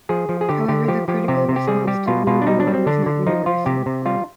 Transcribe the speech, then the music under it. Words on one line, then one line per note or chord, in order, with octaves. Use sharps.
However, the critical response to "Brood War" was not universal.
F3 G#4
F3
G#4
D3 G4
D3 G4
F3 G4
F3 G4
C3 G4
C3
G4
G3 G#4
G3 G4
B2 F4
B2 F4
D4
G3 D#4
D4
G3
C4
D3 D4
D3
F3 D#4
F3 F4
C3 G4
C3
G3 F4